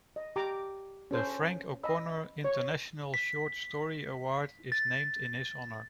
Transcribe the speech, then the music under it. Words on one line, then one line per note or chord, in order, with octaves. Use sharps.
The Frank O'Connor International Short Story Award is named in his honour.
D#5
G4 G5 A#5 D6
C#4 A4 C5
D#5 B5 E6
C#5
B6
A6